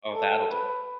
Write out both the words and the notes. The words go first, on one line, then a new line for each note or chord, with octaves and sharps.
Oh, that'll do it.
A4
B4